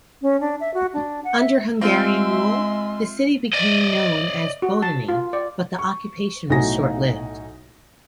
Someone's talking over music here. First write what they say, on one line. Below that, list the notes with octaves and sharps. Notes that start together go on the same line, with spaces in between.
Under Hungarian rule, the city became known as "Bodony", but the occupation was short-lived.
C#4
D4
E5
F#4
D4
F#5
E5
G#3 C4 F4 E5 C6
D5 D#5
F#4
A5
F4
D5
C#6
B1 A2 D#4 F#4 G#5 A#6